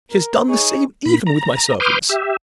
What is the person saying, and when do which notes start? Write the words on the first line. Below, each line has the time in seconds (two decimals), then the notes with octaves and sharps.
She has done the same even with my servants.
0.11 A#4
0.48 D#4 G#4 C#5
1.06 A#2 B5
1.27 A#5
1.80 B4 C6 D6 D#6 F6 G6
2.09 G4 E5